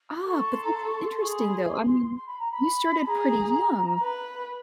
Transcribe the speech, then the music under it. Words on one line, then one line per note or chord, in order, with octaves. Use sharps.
Ah, but this is interesting, though. I mean, you started pretty young,
D6
A4 C#6
C#6
C6
A#5
C6
C#6
C6
C6
G#4 C#6
C6
B5
C6
C6
B5
A#5
B5
A5
G#4 A#5
B4